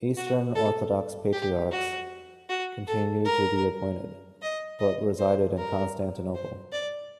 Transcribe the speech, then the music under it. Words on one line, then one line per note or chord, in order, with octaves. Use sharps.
Eastern Orthodox Patriarchs continued to be appointed, but resided in Constantinople.
F#4
A4
G4
F#4
F#4
A4
A#4
D#5
D#5
C5
A#4
C5
D5